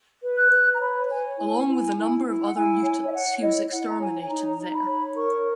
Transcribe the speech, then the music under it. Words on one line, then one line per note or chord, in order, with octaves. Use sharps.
Along with a number of other mutants, he was exterminated there.
B4
F#6
B4
A#5
C#5 B5
C#5 G#5
E4 G#5
E4
E4
E4
F#5
E4 G#5
C#5 G#5
E5
C#5 F#5
E4 D#5
E4 F#5
A#5
C#5 G#5
G#5
D#4 A#5
D#4 A#5
B5
C#5
A#4 C#6